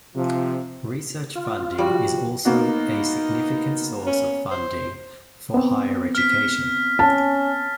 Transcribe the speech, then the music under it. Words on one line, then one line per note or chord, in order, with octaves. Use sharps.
Research funding is also a significant source of funding for higher education.
C3 F3
F4
F3 G3 F#4
A#3 B3 D#4 F#4
C#4
C5
B3 C4
F6 B6
C#4 A5